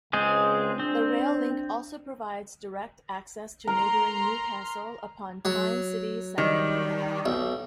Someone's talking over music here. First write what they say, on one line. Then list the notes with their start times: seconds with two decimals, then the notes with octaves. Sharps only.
The rail link also provides direct access to neighbouring Newcastle upon Tyne city centre.
0.13 C#2 G#3 C4 G#4
0.79 C4 D4
3.67 A#4 A#5 C6
5.45 F#3
6.38 D#3 G3
7.26 B1